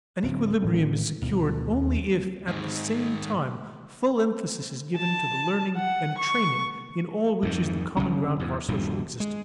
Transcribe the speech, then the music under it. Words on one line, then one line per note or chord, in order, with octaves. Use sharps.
An equilibrium is secured only if at the same time full emphasis is given to the learning and training in all which is the common ground of our social existence.
D1 D2 C4
A2 D#3 G#3 C#4
D2 B2 D#3
D#2
G#2 D#3
A5
F#5
C#6
F2 G#2 D#3
F#1 D#2 C#3 C#4
E2 G#2
D#1 G2 B2 F3
G#3